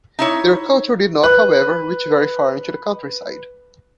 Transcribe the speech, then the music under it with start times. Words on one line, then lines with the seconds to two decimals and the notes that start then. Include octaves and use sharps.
Their culture did not, however, reach very far into the countryside.
0.19 D#4 E4 C#5
1.23 B4 F#6